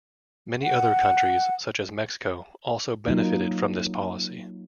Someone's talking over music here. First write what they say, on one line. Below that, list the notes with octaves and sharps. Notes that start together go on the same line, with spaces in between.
Many other countries, such as Mexico, also benefited from this policy.
F#5
F#3 A#3 D#4 F4